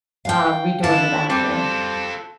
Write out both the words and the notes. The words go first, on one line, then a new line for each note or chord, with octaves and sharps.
um, redoing the bathroom
F5 G5
D3 E4 F4 A5
G3 C4 F4 A4